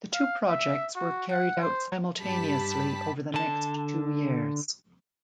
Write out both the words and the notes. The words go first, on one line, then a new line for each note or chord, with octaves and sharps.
The two projects were carried out simultaneously over the next two years.
F5
E5
F#4
F#5
C5
G2 G4 A5 B5 B6
D3 A5